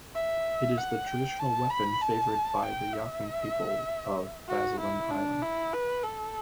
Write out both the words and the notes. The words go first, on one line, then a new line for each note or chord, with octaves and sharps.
It is the traditional weapon favored by the Yakan people of Basilan Island.
E5
F#5
G5
A5
B5
A5
G5
E5
F#4
E4
D4
E4
B4
A4